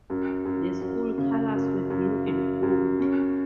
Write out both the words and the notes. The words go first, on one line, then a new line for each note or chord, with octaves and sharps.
The school colors were blue and gold.
F#2
F#2
F#2
C#3
F#2
F#2
F#2
F#2
C#4